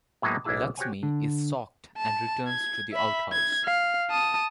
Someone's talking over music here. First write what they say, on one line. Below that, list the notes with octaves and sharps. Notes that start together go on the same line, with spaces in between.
Lakshmi is shocked and returns to the outhouse.
A2 F#3 G#3 A#3 B3 D#4
B1 A#3 D4 E4 G#4 A5
F#4 G4 C5 C#5 F#5 G#5
D3
A5
G#6
E5 B5
G#6
F5
A5 D#6